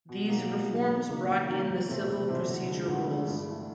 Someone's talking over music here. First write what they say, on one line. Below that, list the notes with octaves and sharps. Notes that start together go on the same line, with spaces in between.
These reforms brought in the Civil Procedure Rules.
B2
F#3 A#3 D#4 G#4
B2
F#3 A#3 D#4 G#4
E2
C#3 F#3 A#3 D#4
E2
C#3 F#3 A#3 D#4
E2
C3 E3 A3 C4
E2
C3 E3 A3 C4
D2
D3 F3 G#3
D2
D3 F3 G#3
G2
E3 A3